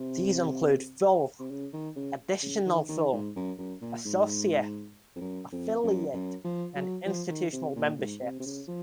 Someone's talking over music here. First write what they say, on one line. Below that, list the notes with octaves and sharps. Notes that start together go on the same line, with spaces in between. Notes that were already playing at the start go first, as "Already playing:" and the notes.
These include full, additional full, associate, affiliate and institutional memberships.
Already playing: C3
C3
C#3
D#3
C#3
C#3
D#3
D#3
G#2
F#2
F#2
A#2
G#2
F2
F#2
F2
F#2
F#2
F3
F#3
F3
D#3
C3
A#2
G#2
C3
C3
C#3
F3